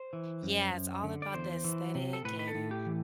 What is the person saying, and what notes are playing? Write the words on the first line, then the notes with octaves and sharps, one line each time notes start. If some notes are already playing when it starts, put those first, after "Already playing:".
Yeah, it's all about the aesthetic and,
Already playing: C5
E3
F#2
F#2
D3
D5
E2 C5
E3
C3
A4
A2 B4
B4
A4
A2
G4
E3